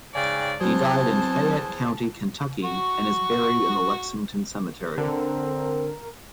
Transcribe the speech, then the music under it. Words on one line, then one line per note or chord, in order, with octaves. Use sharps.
He died in Fayette County, Kentucky and is buried in the Lexington Cemetery.
G#2 C#3 D5 G5 G#5
E2 F#3 C4 G#4 C5 A5
F#4 C#6
D3 C4 A#4